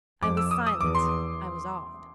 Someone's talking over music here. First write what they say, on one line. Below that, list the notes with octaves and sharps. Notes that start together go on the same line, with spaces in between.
I was silent; I was awed.
F2 D6
E6
D#6
D#6
E2 D6
C6